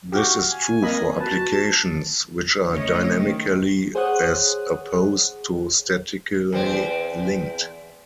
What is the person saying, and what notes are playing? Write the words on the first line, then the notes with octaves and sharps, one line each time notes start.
This is true for applications which are dynamically as opposed to statically linked.
F#4 G4 F5
G#5
A#3 C4 D#5 B5
F#4 B4 A5
C#3 A3 C#4 C#5 D#5
D#3
G#4 C5 C#5 F#5 D#6 F#6
E2 C4